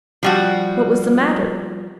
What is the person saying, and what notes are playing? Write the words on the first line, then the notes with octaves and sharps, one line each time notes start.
What was the matter?
F3 G3 F#4